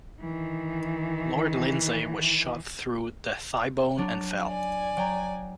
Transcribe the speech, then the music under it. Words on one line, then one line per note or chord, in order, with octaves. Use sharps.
Lord Lindsey was shot through the thigh bone, and fell.
D#3 E3
F#3 D4
D5 G#5
F#3 G5 A#5